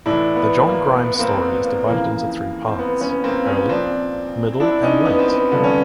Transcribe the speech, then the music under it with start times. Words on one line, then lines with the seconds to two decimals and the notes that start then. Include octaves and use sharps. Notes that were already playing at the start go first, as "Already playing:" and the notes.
The John Grimes story is divided into three parts - Early, Middle and Late.
0.06 A2 E3 D4 E4
0.36 B3
0.66 A#3
0.96 B3
1.14 B3
1.19 A#3 C4
1.42 B3
1.65 A#3
1.87 F2 C#3 E3 A#3
2.68 C4
2.79 B3
3.01 B3 C#4
3.24 A#3 C4
3.46 B3 C#4
3.69 A#2 F3 C4 D4
4.60 D4 E4
4.83 C#4 D#4
5.06 B3
5.19 C4
5.28 B3
5.51 G2 D3 F3 B3
5.64 C#4